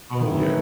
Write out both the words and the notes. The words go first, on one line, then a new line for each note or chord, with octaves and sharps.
Oh, yeah.
A2 D#3 E3 G#3 C#4 E4